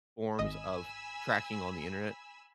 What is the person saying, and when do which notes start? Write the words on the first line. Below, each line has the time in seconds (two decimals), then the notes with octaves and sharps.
forms of tracking on the Internet.
0.39 G#1 D#5 G#5 B5 D#6 E6